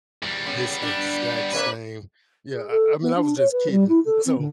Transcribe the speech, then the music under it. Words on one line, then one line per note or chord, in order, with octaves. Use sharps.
this exact same" yeah, I I mean, I was just kidding. So
E2 G3
C#3 G3 B3
D4
C3 A#3 B4 E5
G#4
A4
B3
D4
C#5
B4
G3
E4
A4
C4
D3